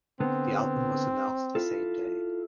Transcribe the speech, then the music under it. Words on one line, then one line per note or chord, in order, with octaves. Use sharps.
The album was announced the same day.
D3 B3 C4
E4 F4 A4